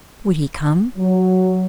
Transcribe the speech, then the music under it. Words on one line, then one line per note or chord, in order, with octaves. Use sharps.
Would he come?
F#3